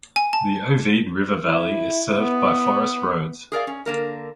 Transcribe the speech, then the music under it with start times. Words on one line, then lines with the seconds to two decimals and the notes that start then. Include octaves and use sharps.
The Ovide river valley is served by forest roads.
0.16 G#5
0.33 A5
1.46 E4
2.19 B3
3.52 G#4 A#4 D5 F5
3.67 C#4
3.86 D3 A#3 A#4